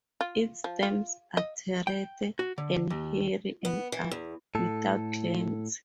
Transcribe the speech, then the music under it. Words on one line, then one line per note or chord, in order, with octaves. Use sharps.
Its stems are terete and hairy and are without glands.
F4
F3
F4
D#5
G5
F#4
D3
D#2
B3
E3
E2
A2 A4